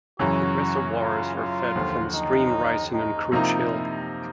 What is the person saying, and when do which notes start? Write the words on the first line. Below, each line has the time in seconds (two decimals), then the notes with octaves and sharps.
The reservoirs are fed from a stream rising on Creuch Hill.
0.19 F#2 C#3 E3 F#4
0.96 F4
1.36 F4
1.76 D#2 D3 F3
2.14 D#4
2.93 D#4
3.32 C3 F3 A#3 D#4 E4